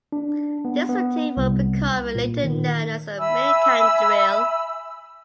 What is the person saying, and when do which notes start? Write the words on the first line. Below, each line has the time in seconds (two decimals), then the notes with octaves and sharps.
This routine would become later known as the Mikan Drill.
0.12 D4
0.65 B3
0.89 B3
1.37 C2
2.15 A#2
2.44 D#3
3.19 E5 G#5 B5 E6